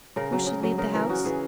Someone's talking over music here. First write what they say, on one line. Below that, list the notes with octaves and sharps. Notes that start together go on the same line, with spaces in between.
Who should lead the House?
C#3 A#4
F#3
C#3
F#3
C#3 A#4
E3 A#4
C#3 F#4
E3 G#4